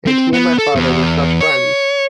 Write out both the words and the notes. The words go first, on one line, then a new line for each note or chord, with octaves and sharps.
And he and my father were such friends!
C4
B3
A4
E2
C#5